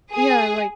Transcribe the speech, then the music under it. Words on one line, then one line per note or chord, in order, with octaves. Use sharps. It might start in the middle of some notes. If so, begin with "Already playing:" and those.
Yeah, like
G#4